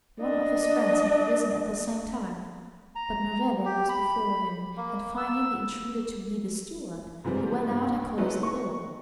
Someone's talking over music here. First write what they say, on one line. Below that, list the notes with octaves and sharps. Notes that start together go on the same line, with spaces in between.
One of his friends had risen at the same time, but Noureddin was before him, and finding the intruder to be the steward, he went out and closed the door.
D4 D#5
A#5
G4
B5
A#3
E6
G#2 C3 E3 G3
G2
F#3 G#3 A3 B3 D#4 E4
C#6